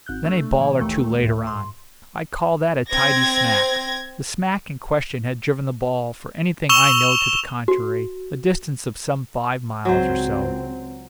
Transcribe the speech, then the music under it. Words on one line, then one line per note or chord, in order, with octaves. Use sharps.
Then a ball or two later on, "I call that a tidy smack." The "smack" in question had driven the ball, for anything I know to the contrary, a distance of some five miles or so.
G#1 F#6 G6
A3 D4
A#2 E3
D#2 D#3 E3 A3
D2 A2
C6
C4 G#6 A#6
C#6 E6 E7 F7 G7
F#4
C#2 F#3 C4 C5